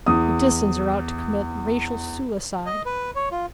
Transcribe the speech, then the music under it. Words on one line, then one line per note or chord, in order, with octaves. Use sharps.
The Disans are out to commit racial suicide.
E2 D#6
D#5
B4
C#5
F4